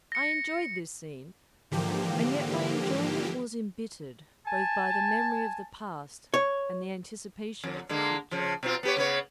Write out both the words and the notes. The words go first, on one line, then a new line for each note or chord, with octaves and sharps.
I enjoyed this scene, and yet my enjoyment was embittered both by the memory of the past and the anticipation of the future.
A#6 C#7
G#2 D3 E3 F3 A#3 G4
G#5 A5
C#5
F2
D3 G#3 A#3
C#3 F3
B2 C4 F4
B3 G4 C#5
C#3 B3 C#5